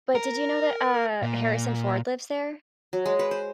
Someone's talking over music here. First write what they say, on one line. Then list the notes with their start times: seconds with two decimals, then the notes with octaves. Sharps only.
but did you know that, uh, Harrison Ford lives there?
0.15 A#4
1.22 A#2
2.93 F#3
3.06 G#3
3.19 B4
3.31 C5